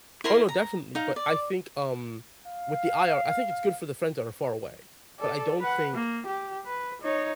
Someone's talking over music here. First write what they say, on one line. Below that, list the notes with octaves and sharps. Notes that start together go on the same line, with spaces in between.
Oh, no, definitely, but I think, um, with the IR I think it's good for the friends that are far away. But I don't think,
E4 A#4 C5 C6
A#5
D#4 F5
D5
F5
A4 D5
B4 F#5
A#3
G4
B4
D#4 C#5